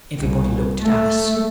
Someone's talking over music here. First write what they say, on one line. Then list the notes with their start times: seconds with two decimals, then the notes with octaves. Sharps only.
Everybody looked at Alice.
0.19 C2
0.81 A3